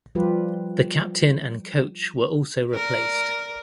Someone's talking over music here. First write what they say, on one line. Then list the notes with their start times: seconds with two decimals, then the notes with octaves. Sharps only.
The captain and coach were also replaced.
0.15 F3 G3 F4 G4 B4
2.73 A#4 D5